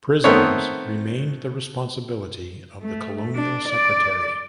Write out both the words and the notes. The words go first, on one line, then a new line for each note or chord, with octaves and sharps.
Prisons remained the responsibility of the Colonial Secretary.
D#3 A3 B3 C4 C#5
A3
D4
D5